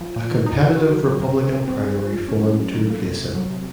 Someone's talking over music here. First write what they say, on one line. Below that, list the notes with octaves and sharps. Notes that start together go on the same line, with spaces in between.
A competitive Republican primary formed to replace him.
F3
A#2
D#3
D#4
F#4
F#4
F#3
C#3
A#4
C4
C#3
C4
G#4
F3
F#2
C#4
G#3
F#2
D#3
A#3
C3
C3
F#3
C3